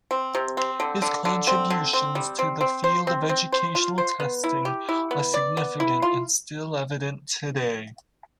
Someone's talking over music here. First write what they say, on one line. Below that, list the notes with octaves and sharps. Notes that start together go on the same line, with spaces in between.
His contributions to the field of educational testing are significant and still evident today.
C4
C3
C4
D3
D3
D3
C4
D3
C4
G3
C4
C4
C5
C4
C4
C5
F4
C5
B3
E4
G4
E4
B3
D5
B3
E4
F4